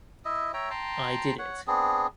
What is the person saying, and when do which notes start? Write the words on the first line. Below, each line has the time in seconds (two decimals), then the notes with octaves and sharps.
I did it.
0.25 E4 D#5 E5
0.54 C#5 E5 G5 A#5
0.70 G5 A5 A#5 C6
1.39 C#5 F#5
1.67 B3 C4 D4 G#4